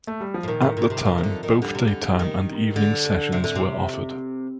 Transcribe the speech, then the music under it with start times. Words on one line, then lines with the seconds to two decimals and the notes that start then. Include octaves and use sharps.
At the time, both daytime and evening sessions were offered.
0.07 A3
0.21 G3
0.34 F3
0.43 A2
0.48 A#2 D#3
0.62 A2
0.77 A#2
0.90 C3
1.05 C3 F3
1.18 D#3
1.24 D3
1.43 D#3
1.62 D3 G3
1.75 C3
1.88 D3
2.19 D#3
2.76 D3
3.32 C3
3.44 D3
3.56 C3